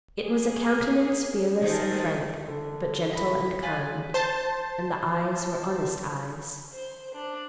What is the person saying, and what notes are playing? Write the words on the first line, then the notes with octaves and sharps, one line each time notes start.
It was a countenance fearless and frank, but gentle and kind, and the eyes were honest eyes.
G#4
D#3 G#4 A4 C5
D3
B3 A#5 B5
F4 G#5 F#6 B6 F#7
C5 A5
C5
D4